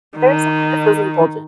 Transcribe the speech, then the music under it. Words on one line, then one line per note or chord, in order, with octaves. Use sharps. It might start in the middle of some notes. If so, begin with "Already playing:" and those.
there is something that feels indulgent.
D#3